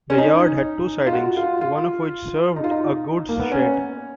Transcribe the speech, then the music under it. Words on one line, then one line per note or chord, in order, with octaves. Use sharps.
The yard had two sidings, one of which served a goods shed.
C#4
D#4
F4
F#4
F4
F4
D#4
F4
D#4
A#3
B3
C#4